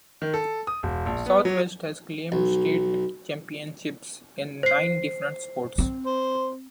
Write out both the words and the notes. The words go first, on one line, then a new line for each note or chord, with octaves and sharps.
Southwest has claimed state championships in nine different sports.
D#3
A4
D#6
E1
A#1
B3
F#3
B1
C5 C7
C4
C5